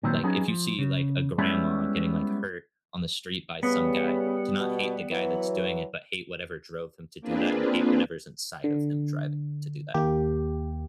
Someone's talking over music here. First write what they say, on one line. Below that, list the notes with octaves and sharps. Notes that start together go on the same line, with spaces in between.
like if you see, like, a grandma getting, like, hurt on the street by some guy, to not hate the guy that's doing it, but hate whatever drove him to do that and hate whatever's inside of him driving him to do that.
A#2 D#3 F#3 B3 C4
F#3 B3 C#4 D#4 G#4
F3
C#3
G3 G#3 B3 C#4 E4
C#3 G3 B3
B2
E3 F#3
A#3 C4 D4 F4 G#4 B4
D3
D#2 A#3 G4